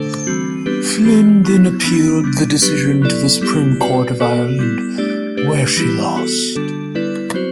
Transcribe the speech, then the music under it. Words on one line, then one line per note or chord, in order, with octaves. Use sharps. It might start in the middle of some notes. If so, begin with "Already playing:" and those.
Flynn then appealed the decision to the Supreme Court of Ireland, where she lost.
Already playing: D3 A3 D4 A4 C5
E3 G3 C4 F#4
G3 B3 D4 G4 B4
E3 A3 C4 G4
F#3 B3 E4
E3 B3 D4
G3 B3 D4
F#3 B3 D4 G4 B4
F#3 B3 E4 A4 D5
G3 B3 E4 G4
C4 F#4 B4 D5
B3 F#4 A4 D5
G3 B3 E4
A3 D4 G4 D5
A3 D4 G4 B4
E3 G3 B3 E4 G4
B3 F#4 A4
D3 G3 D4 A4
G3 B3 E4 B4 D5
F#3 C4 F#4 C5